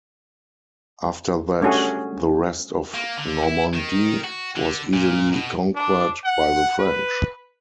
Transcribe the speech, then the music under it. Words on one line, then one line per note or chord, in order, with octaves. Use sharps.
After that, the rest of Normandy was easily conquered by the French.
G3 A3 C#4 D4 F#4 G#4
A#3
D3
E4
D#3
F#4
D3
A#2
B2
D4
F#5
B4